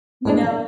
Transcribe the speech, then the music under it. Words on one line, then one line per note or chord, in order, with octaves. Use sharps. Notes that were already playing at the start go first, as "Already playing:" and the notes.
you know,
A2 G#3 D4